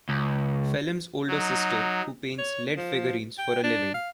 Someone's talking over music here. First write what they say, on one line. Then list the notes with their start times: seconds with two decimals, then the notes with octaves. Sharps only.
Phelim's older sister, who paints lead figurines for a living.
0.09 C#2
1.27 F#3 D#4
2.38 C#5
2.77 F3
3.38 G5
3.64 D4
3.94 F5